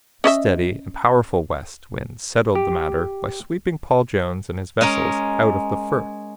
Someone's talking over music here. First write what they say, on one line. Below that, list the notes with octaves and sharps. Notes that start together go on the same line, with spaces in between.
A steady and powerful west wind settled the matter by sweeping Paul Jones and his vessels out of the Firth.
C#4 D#5 E5
G4
G#3 C#4 A#4